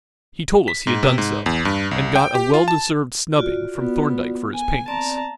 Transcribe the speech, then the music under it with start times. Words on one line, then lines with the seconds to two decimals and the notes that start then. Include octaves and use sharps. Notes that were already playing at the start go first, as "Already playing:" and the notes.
"He told us he had done so, and got a well-deserved snubbing from Thorndyke for his pains."
0.68 B6
0.87 G#2
1.03 C3
1.18 G#2
1.46 E2
1.65 G2
1.91 C2
2.15 G5
2.35 G4
2.54 F4
2.68 A5
3.36 F4 F#4 D5
3.76 B3
4.55 G#5
4.88 C4 D5 A5 A#5